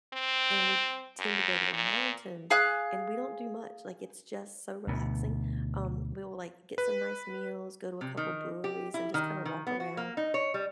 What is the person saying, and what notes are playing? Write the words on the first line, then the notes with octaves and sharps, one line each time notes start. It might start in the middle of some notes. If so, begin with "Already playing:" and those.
and we tend to go to the mountains, and we don't do much, like, it's just so relaxing, um, we will, like, get some nice meals, go to a couple breweries, and just kinda walk around,
C4
F#2
A#2
G#4 F5 F#6
D2 B2
B4
C3
D#3
G4
E4
D#3
D#3
B3
F#4
A#3
D#4
C#5
G3